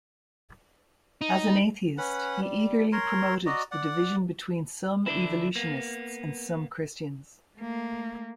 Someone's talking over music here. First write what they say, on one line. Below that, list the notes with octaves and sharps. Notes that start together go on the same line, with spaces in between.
As an atheist he eagerly promoted the division between some evolutionists and some Christians.
D#4
C#4 B4 F#5
G3
A#4 C#5 A#5 C6
F#4 D5 D#5 A#5
D5 F#5
D3 D4 E4
A#3 B3
A3 A#3